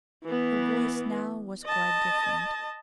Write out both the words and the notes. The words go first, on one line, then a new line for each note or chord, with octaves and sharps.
Her voice now was quite different.
E3 B3
D#5 A5